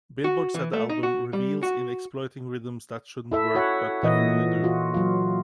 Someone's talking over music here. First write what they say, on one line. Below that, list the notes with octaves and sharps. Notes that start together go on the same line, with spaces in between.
"Billboard" said the album "revels in exploiting rhythms that shouldn't work-but definitely do".
F#4
E3
A3
D#4
F#4
G3
F#4
E4 A4 E5
F#4 C#5 F#5
A#2 E3 D#5
F4 F#4
F#3 F4